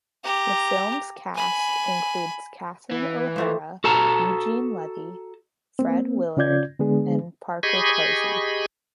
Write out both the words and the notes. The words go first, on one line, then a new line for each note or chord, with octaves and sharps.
The film's cast includes Catherine O'Hara, Eugene Levy, Fred Willard, and Parker Posey.
G4 A#5
G#5 B5
E3
F3 A3 A#3
F#4 A4 A5 A#5
A#3 C4
C#3 C#4 F4 D5 G6 G#6
D3 G#3 B3 D4 G#4
G4 G#4 D#5 G#5 B5 C#6